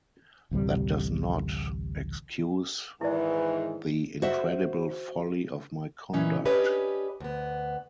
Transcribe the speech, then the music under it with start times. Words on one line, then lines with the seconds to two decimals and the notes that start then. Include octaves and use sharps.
That does not excuse the incredible folly of my conduct.
0.51 A1 D2 C3 G3
3.01 G#2 D#3 E3 E4 B4 D5
4.22 F#4 C5 E5
6.13 A#2 E3 C#4 D#4
6.45 C#4 D4 G4 B4 C#5 D#5
7.20 D2 B3